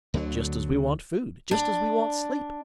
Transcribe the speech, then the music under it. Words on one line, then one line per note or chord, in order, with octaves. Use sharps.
Just as we want food, just as we want sleep.
D2 D3 E3 F#3
D4